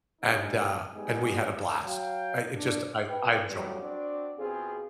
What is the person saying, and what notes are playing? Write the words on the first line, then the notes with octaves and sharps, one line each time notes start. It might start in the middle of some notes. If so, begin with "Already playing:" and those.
and, uh, and we had a blast. Uh, it just I I enjoyed it.
G3 G#3 C4 D4 D#4
G3 G#3 A#3 B3 D#4 G#4
F#3 F5 G5
D4
B4 G5
E2 A2 C#3 F#3 G3
C4 D4 F#4 D5
B2 C4 F4 G#4